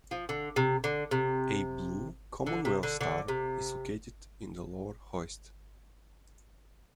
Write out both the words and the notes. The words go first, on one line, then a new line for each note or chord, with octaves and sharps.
A blue Commonwealth Star is located in the lower hoist.
F3
D3
C3
D3
C3
D3
C3
D3
D3
C3